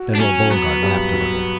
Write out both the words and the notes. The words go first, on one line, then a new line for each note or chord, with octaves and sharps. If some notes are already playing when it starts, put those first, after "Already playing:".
General Beauregard laughed a little.
Already playing: F#4
D4
F#3 C#4
F#3 B3
G2
F#3